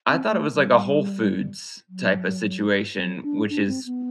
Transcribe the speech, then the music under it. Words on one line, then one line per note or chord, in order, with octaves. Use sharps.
I thought it was like a Whole Foods type of situation, which is
C4
A3
G3
F#3
F#3
D4
D4
C4
B3